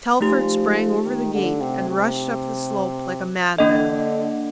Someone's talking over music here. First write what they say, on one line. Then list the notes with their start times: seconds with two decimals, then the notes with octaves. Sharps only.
Telford sprang over the gate and rushed up the slope like a madman.
0.20 F3 A3 D#4 G4
1.04 D#3
1.33 D3
1.61 C3
1.89 C3
3.58 D3 A#3 D4 A4 D#5